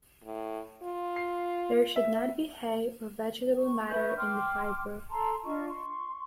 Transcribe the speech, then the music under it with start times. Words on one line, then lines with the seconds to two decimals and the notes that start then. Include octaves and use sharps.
There should not be hay or vegetable matter in the fibre.
0.24 A2
0.83 F4
1.16 C7
1.96 E5
3.59 C#6
3.89 B4 E5 C#6 G6
4.17 G5 C6 D6 F6
5.11 A4 A5 A#5 C6
5.45 D4 F4 D#5 C#6
5.69 C6 C#6